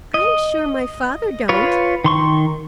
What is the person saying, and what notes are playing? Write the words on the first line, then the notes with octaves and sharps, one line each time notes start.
"I'm sure my father don't."
D#5
F4 B4 C#5
D#3 C6 C#6